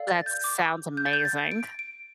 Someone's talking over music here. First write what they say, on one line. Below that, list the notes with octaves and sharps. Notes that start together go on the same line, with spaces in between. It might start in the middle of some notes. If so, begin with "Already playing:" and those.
That sounds amazing.
Already playing: A4 D5 F5
A6
G6
D6
G6
A6
G6
A6
D7
D7